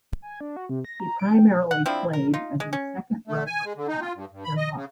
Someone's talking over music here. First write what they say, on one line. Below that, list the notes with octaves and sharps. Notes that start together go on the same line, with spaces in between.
He primarily played as a second-rower, prop and lock.
G#5
D4
F#4
C3
A#6
A#5
D7
G5
F#5
F3 C4 D4 E4
A#4
D#4 F4
G#3
C#4
A3
G#5
G#3
D3
D#4
F4
G2
G2
B5
D#5
C#3